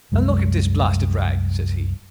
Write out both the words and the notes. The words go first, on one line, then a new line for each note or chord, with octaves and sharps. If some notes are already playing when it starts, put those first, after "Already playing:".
And look at this blasted rag, says he.
C2 F#2 G#3